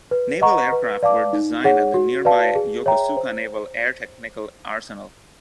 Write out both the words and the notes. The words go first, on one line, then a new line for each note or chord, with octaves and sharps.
Naval aircraft were designed at the nearby Yokosuka Naval Air Technical Arsenal.
B4
D#5 F#5 A#5 C#6
B4
D5 F5 A5 D6
D#4
G#4 C#5 F#5
F#4
B4 D5 F5 A5
G#4
C#5 E5 G5 A#5
C5